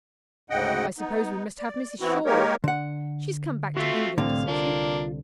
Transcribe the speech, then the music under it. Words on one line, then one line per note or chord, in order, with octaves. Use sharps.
I suppose we must have Mrs. Shaw; she's come back to England, isn't she?'
D2 G#2 C#3 D#5 F#5 G5
B3 D#4
D5
E3 B3 C4 E4 F#4
G#3 A#3 D#4 G4 A#4 C#5
D3 F#5
A3 C4 F4 F#4 E5
C2 A2 D3 C4 F5
A#3 D4 F4